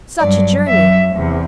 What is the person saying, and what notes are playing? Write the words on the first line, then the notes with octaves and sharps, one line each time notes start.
"Such a journey!"
G2 F#3 D5
F#2 F#3 E5
E2 C3